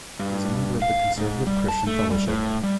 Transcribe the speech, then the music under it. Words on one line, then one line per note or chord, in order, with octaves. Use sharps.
She is a member of the Conservative Christian Fellowship.
G2
F5
G#2
G3
A5
A3
G3
A2
G3